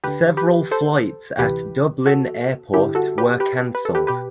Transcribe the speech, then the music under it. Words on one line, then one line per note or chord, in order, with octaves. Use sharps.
Several flights at Dublin Airport were cancelled.
D2 D3 G4 B4
G4 B4
A4 C5
D2 C3 E3 G4 B4
F#4 A4
G2 D3 E4 G4
F#4 A4
G4 B4
G4 B4
B4
A4
G4 B4
B2 G4 B4